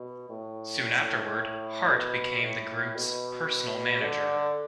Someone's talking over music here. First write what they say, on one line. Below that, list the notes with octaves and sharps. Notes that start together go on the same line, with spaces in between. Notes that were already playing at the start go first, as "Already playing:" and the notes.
Soon afterward, Hart became the group's personal manager.
Already playing: B2
A2
B2
A2
B2
D3